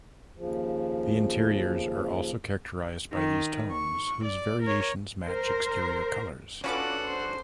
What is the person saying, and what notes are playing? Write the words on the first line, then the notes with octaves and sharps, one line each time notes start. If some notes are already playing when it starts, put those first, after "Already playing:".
The interiors are also characterized by these tones whose variations match exterior colors.
D#2 C#3 F3
D#3
C#6
D5
A#4 C#5
A#4 C5
C#4 D4 F4 F#4 A4 B4 F#5 D6
C5